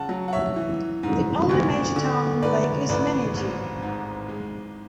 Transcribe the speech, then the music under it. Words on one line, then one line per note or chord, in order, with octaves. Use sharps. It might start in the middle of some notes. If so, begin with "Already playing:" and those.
The only major town on the lake is Meningie.
Already playing: C#3 F#5 A5
F#3
F#5
C#5 E5
E3
G#2
D2
D3
G#2 B4 D5
A1 B4 D5
G#1
G#2
G#3